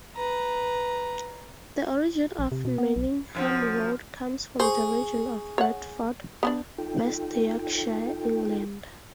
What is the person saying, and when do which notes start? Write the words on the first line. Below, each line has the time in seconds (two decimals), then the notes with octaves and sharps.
The origin of Manningham Road comes from the region of Bradford, West Yorkshire, England.
0.16 B4 A#5
2.39 A#1
2.52 C3
2.65 B2
2.78 B3
2.96 B1
3.35 F#2 E3 F3
4.60 G#4 C5 C#6
5.58 C#5 F#5
6.43 B3 C#4 D4
6.78 D#4 F4 A4 G5